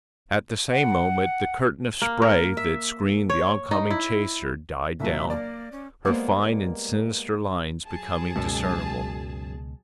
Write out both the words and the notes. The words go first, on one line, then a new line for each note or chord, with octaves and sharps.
At the same moment the curtain of spray that screened the on-coming chaser died down, her fine and sinister lines becoming discernible.
F#5
A#3
A#4
E5
C#5
D#4
E4
C2 A#2 F#3 E5
A#3 D5
C#4
G3 G#3 A#3 B3 C5 F#5
F#3 G#4 A5
C#2 F#2 B2 G#3